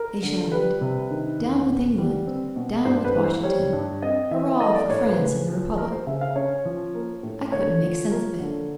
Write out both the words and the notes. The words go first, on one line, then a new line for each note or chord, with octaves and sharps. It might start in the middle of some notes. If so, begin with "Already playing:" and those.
They shouted, "Down with England!"--"Down with Washington!"--"Hurrah for France and the Republic!" I couldn't make sense of it.
Already playing: A#4
D3
G3 B4
C3
D#3
E2
B2
G3
C4
B2
G2 C5
B4
E3
C5
G3 C#5
G2
C4 D#5
E3 E5
A3 D#5
D5
A2 C#5
B4
C5
C#3 B4
F3
A#3 A#4
C5
C#3 E5
F5
C#4 C#5
F3
A#3
A2
D3 C#5
F3
A#3
D3